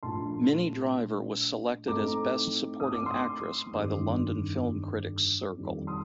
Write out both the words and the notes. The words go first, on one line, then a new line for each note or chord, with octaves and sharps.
Minnie Driver was selected as best supporting actress by the London Film Critics Circle.
A#1 A2 F3 A5 C6
A2 A3 C4 D#4 A#5 D6
D#6
D6
C6 D#6
G1 F2 D#3 G3
F2 D#3 G3 C4
C6 D#6